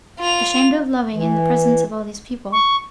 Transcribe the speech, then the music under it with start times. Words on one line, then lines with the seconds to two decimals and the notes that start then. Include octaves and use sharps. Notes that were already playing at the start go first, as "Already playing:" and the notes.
Ashamed of loving in the presence of all these people.
0.20 F4 F7
1.14 E3
2.52 C#6